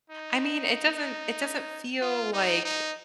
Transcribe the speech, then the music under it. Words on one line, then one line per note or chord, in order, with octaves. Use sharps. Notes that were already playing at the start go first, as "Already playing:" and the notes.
I mean, it doesn't it doesn't feel like
D#4
F4
D#4
D#4